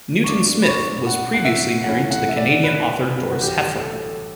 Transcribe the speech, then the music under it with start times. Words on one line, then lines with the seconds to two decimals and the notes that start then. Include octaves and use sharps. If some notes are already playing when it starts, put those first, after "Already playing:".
Newton-Smith was previously married to the Canadian author Dorris Heffron.
0.24 C#6
0.28 G2 D3 A3 D4 D6
0.62 B5
0.68 C#6
1.07 F#5
1.34 F#5
1.45 E5
1.84 G2 E3 A3 C#4 E4 F#5
2.11 F#5
2.29 E5
2.37 D5
2.63 B4
3.30 F#4
3.41 A1 G2 D3 F#3 A3 G4
3.80 A4